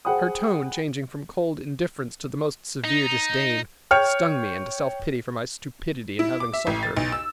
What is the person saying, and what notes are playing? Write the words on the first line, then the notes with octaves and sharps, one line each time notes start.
Her tone, changing from cold indifference to the most severe disdain, stung me into self-pity for my stupidity in having sought her.
G#4 C5 F#5 G5 B5 D#6
D#4
C#5 G5 F6
E4
D6
E5
A1
A6
B1
E6